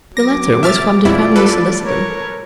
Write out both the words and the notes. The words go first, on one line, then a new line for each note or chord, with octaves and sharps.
The letter was from the family solicitor.
F#3 D6 A#6
E5 F6 A6
F2 B2 E4 F4 D5
A4 B4
A#4 C#5